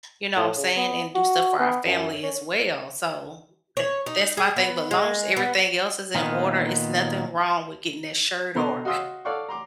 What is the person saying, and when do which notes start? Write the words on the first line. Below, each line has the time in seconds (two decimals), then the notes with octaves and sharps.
You know what I'm saying? And do stuff for our family as well, so that that's my thing. But long as everything else is in order, it's nothing wrong with getting that shirt or
0.36 A2
0.57 C#3
0.77 B3
1.15 F#4
1.59 B3
1.85 F#2
2.23 C#4
3.77 C#5
4.06 D#4
4.37 G#4
4.56 B3
4.91 G#3
5.37 B3
6.15 A#2 D#3 A#3 B3
8.55 B2 D3 B3 A#5 C6 C#6
8.85 F#4 D#5 F5 C6 D#6 E6
9.25 A4 C#5 D5 F5 F#5 C#6
9.49 A#5 C6 D6